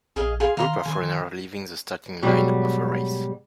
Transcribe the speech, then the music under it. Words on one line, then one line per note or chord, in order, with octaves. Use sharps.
Group of runners leaving the starting line of a race.
A#1 G#4 D#5 F5
G#4 F5 C6
D#3 F5 A#5 C6
D#3 G#5 C6
D#3
G#2 B2 F#3 G3